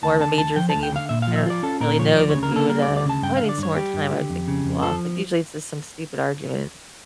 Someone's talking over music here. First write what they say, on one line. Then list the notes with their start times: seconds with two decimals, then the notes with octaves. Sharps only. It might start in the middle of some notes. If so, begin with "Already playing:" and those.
more of a major thing he I don't really know that you would, uh, probably need some more time, I would think, to cool off, but, usually, it's just some stupid argument.
0.03 D2 A5
0.20 D3 A5
0.38 D2 A5
0.56 F3 G5
0.70 A5
0.75 D2
0.83 G5
0.92 D3 F5
1.09 A#2 E5
1.22 F3 F5
1.36 E5
1.46 F4 D5
1.63 C#4 A4
1.81 A#2 A#4
1.98 F3 C#5
2.16 D2 D5
2.30 C#3 C#5
2.43 A#4
2.52 A#3 A4
2.69 G3 A#4
2.82 D5
2.88 D2
2.97 D5
3.05 C#3 A5
3.22 G2 G5
3.37 D3 F5
3.49 D5
3.58 G2 C#5
3.76 G3 G4
3.94 G2
4.12 D3
4.29 F2
4.48 C#3
4.65 F2
4.82 F3 A4